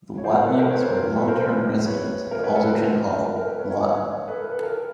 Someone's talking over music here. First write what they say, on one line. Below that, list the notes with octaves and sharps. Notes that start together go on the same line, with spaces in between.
The Watlings were long-term residents at Alderton Hall, Loughton.
C#5
C5 D5
A#4 C5
A4 B4
A#4 C5
B4 C#5
A#4 C5
A#4
A#4
A4 B4
A#4 C5
B4
A#4 C5
B4 C#5
A#4 C5
B4 C#5
A4 B4
A#4 C5
A#4 C5
B4
A#4
A#4
A4 B4
B4 C#5
B4 C#5
B4 C#5
A4 B4
A#4
A4 B4
A#4